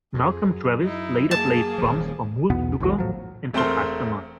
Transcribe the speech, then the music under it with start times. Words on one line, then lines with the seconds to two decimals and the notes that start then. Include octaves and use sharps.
Malcolm Travis later played drums for Mould's Sugar, and for Kustomized.
0.14 F2 G#4
0.46 F#2
0.83 D#4 E4
1.31 A#3 G#4 A5
1.78 D#1 F3
2.50 B1 E2 B2 B3
2.80 A1 D#2 A2 F#3
2.98 A2 F3 F#3
3.53 E1 A3 C4 A#4 C6 G7